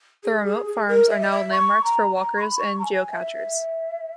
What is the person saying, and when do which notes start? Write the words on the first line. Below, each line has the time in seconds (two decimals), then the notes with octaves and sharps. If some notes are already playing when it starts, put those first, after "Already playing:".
The remote farms are now landmarks for walkers and geocachers.
0.24 G#4
0.45 G#4
0.66 G#4
0.88 A#4
1.08 E5
1.21 D#5
1.31 E5
1.52 C#6
1.84 A#5
2.15 A#5
2.37 C#6
2.40 B5
2.58 C#6
2.79 A#5
2.83 G#5
3.11 E5